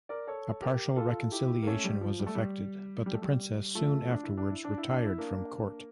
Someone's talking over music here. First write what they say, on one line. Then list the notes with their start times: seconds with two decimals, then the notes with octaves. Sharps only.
A partial reconciliation was effected, but the princess soon afterwards retired from court.
0.09 A#4 D5
0.27 A4 C#5
0.62 G4 A#4
0.96 F4 A4
1.31 E4 G4
1.62 A#3
1.67 A3 C#4
1.84 G3
2.01 F3
2.19 G3
2.26 A3
2.35 G3
3.06 G3
3.14 A3
3.22 G3
3.75 F3 A3
4.11 D4
4.23 E4
4.37 D4
4.50 E4
4.64 D4
4.78 E4
4.91 D4
5.05 E4
5.18 A#3 D4